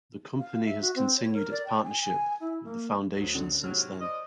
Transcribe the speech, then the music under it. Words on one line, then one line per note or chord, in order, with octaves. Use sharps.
The company has continued its partnership with the Foundation since then.
F5
E5
F#4
C4
C#5
A#4
D5
G5
G#5
G#5
E4
A#3
D2 F#3
D3
G#2 C3 F#3 F6
C5 D5 D#5